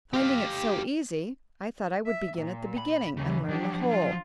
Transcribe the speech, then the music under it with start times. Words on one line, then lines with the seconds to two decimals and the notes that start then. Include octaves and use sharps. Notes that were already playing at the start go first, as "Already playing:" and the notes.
Finding it so easy, I thought I would begin at the beginning, and learn the whole.
0.14 G4 F5
2.06 E5
2.38 A#2
2.78 B5
3.17 D#2 C#3 E3
3.49 F3 F#3 D4 G4
3.89 F4